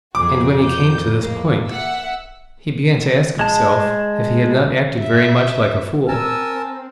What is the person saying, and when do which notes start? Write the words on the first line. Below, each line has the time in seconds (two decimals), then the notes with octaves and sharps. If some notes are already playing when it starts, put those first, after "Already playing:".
And when he came to this point, he began to ask himself, if he had not acted very much like a fool.
0.15 F2 F#4 G#4 D6
0.67 G6
1.18 G#3 A#3
1.68 E5 F#5 E6
3.39 G#3 A5
5.00 E5
6.08 C4 A#4 G#5 A5 E6